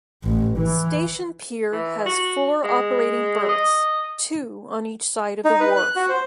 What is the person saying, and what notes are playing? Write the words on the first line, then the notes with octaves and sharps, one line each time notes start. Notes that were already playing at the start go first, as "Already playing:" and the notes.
Station Pier has four operating berths, two on each side of the wharf.
A1
E3
E3
F#4
G#3
D#5
D#4
B4
F#6
F#4
C5